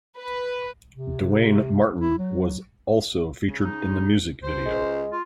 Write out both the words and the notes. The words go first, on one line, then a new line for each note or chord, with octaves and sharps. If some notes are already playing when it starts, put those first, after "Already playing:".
Duane Martin was also featured in the music video.
B4
C3
E4
F#3
C#3
D#4
G2 C5
C#2 G#3
F4